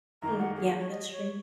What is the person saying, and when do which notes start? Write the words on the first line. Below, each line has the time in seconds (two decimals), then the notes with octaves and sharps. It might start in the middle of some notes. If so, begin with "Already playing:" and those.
Mm, yeah, that's true.
0.22 F#2 D#3 A#3 D#4 A#5
0.39 F#5
0.56 G#4
0.79 C#5
0.91 D#5
1.12 C#5